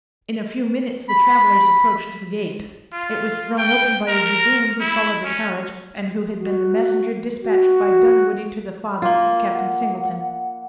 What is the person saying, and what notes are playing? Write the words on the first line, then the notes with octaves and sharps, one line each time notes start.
In a few minutes the travelers approached the gate. It was thrown open by a dragoon who followed the carriage, and who had been the messenger dispatched by Dunwoodie to the father of Captain Singleton.
B5
F4
G5
A#4
E4
C#4
F#4
F#4
A#3 F4
F#5